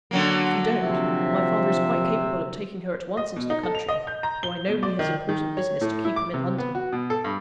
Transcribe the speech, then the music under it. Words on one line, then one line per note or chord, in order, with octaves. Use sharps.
If you don't, my father is quite capable of taking her at once into the country, though I know he has important business to keep him in London.
D3 F#3 A#3
C3 F3 E5
D#5
B2
D#4
A4
F7
D#5
G6
A#5
G7
B2
D5
D#3
D#3
C#5
A2
E4
D6
C3
B3
F#4
B2
A4
G2